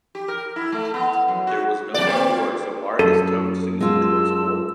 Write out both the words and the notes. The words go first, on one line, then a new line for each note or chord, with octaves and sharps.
There was no one aboard so "Argus" towed "Susan" towards Cork.
G4
A#4
E4
A3
B3
F#2
F#4
F#3 D5
A#3 C4
F#2 A4
G#3 B3 F4 A5 C6 E6